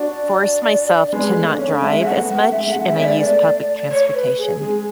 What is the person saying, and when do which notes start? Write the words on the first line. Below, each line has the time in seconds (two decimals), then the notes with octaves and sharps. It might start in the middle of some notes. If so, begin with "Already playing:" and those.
force myself to not drive as much, and I use public transportation.
Already playing: D4 F#4 D5
1.13 G#3 B3
1.36 A3
1.48 D4
1.59 A3 C#4
1.82 G#3 E5
2.00 E5
2.05 A3 F#5
2.18 B3
2.29 A3 F#5
2.51 G#3 E5
2.67 A3 F#5
2.75 G#3
2.87 E5
2.94 C#4
2.98 G#3 B3 E5
3.05 D5
3.21 A3 D5
3.92 C#5
4.14 B4
4.38 G#4
4.61 G#3 G#4